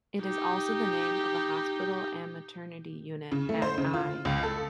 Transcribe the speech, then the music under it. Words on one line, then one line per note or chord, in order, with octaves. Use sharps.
It is also the name of a hospital and maternity unit at Eye.
D#4 G4
C#3
A3
C5
C#3
F4
C#2
A4